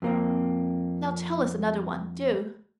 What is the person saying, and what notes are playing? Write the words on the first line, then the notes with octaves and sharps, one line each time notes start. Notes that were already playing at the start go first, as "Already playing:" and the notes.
Now tell us another one, do.
F2 A#3 C4